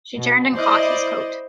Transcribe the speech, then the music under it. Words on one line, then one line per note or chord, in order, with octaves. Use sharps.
She turned and caught his coat.
B2
E4 C5 D5 D#5